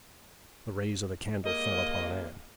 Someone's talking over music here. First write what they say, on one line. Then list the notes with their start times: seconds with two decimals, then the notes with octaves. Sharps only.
The rays of the candle fell upon Anne.
1.44 G3 G#3 A#3 D#5